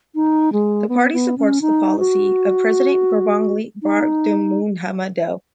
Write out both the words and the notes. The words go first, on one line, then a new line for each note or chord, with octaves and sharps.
The party supports the policy of President Gurbanguly Berdimuhamedow.
D#4
G#3
B3
B3
C#4
D#4
F#4
D#4